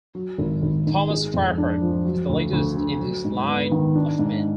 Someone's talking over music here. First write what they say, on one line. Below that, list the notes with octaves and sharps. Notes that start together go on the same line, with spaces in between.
Thomas Fireheart is the latest in this line of men.
F#3
G#1
G#1
G#2
G#3
F2
D4
F3
F#3
D2
D2
D3
F#3
G#2
B3
D#3
D4
G#2